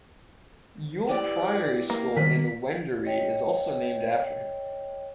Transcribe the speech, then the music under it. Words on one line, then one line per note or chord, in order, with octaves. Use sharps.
Yuille Primary School in Wendouree is also named after him.
E3 G4 D5
A#3
C2 B2 D#3 B6
C#5 D#5 G5